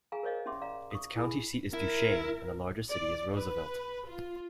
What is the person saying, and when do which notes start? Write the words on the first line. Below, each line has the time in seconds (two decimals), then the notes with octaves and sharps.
Its county seat is Duchesne, and the largest city is Roosevelt.
0.12 G#4 F5 G#5 A#5
0.23 A#4 C5 C#5 D#5 F5
0.46 C#4 G4 E5 C6 D6
0.62 D5 F5 A#5
0.91 C#6 D#6
1.16 E4 G#4 G#5 A5 B5
1.73 E4 A#4
2.88 D5
3.33 B4
4.07 F4